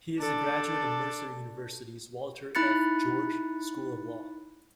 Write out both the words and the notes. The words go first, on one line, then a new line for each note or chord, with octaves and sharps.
He is a graduate of Mercer University's Walter F. George School of Law.
D4 A4
D#4 E4 B5 F#6 A6 C#7